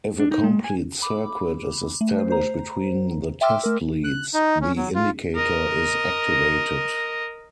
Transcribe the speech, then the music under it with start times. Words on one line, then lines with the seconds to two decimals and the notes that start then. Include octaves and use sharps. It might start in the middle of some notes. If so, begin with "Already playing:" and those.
If a complete circuit is established between the test-leads, the indicator is activated.
0.20 D4
0.31 D#4
0.44 G#3
0.64 G#5
1.02 B5 D6
2.01 A3
2.18 C5
2.30 C5 A#5
3.41 E5 G5 C6 D6 E6 F6
3.63 A3 A#4
4.04 F#6
4.34 D#4
4.61 C#4
4.77 F#3
4.95 F4
5.35 A#4 D#5